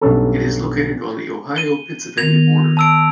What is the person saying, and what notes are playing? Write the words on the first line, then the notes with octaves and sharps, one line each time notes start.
It is located on the Ohio-Pennsylvania border.
B1 G2 C#4 A4
D#7 G7
D#3 B3 A#4 G#6 A#6 F7
A5 E6 D7